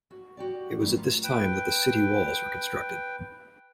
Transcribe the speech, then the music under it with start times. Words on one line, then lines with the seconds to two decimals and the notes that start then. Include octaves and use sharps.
It was at this time that the city walls were constructed.
0.11 F#4
0.37 F#4 G4 D5
0.80 D#3 G3 A3 C4 C#4
0.97 A#3 F4
1.24 B4 G5